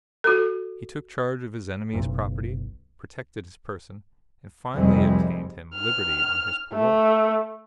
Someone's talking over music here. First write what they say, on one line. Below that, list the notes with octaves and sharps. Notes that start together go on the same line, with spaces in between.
He took charge of his enemy's property, protected his person, and finally obtained him liberty on his parole.
F#4 A4
F#1 B1
F1 C2 F2 G3 G#3
F6
A3